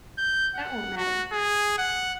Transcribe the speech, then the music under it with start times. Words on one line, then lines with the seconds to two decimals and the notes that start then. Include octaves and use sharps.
That won't matter.
0.18 G6
0.55 F#5
0.97 F#4
1.32 G#4
1.78 F#5